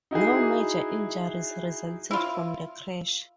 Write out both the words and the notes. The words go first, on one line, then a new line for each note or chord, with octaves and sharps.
No major injuries resulted from the crash.
D#4 E4 F#4 G#4
E4 F4